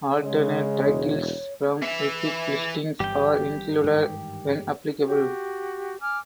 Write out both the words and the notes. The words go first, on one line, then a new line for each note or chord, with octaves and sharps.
Alternate titles from repeat listings are included when applicable.
C#3 G#3 C#5
E1
E3 E5
G1 G2 E3 G3 G4 G5
G#2 D#3
F#4 G4
G#5 D6 F6